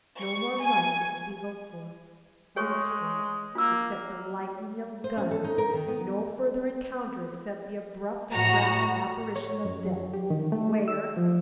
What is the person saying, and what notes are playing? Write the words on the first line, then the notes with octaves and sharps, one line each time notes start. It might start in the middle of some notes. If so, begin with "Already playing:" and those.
No more light was to be hoped for, henceforth, except the lightning of guns, no further encounter except the abrupt and rapid apparition of death. Where?
C#6
G#5
G#3 G#4 C#5 C#6
A#3 F4 E6
C5
C#4
A4
D#4
A#4
D#3
B3
A2 F#4 A#5
C#5
F#2
F#3
G4
D#3
A3
E6
F3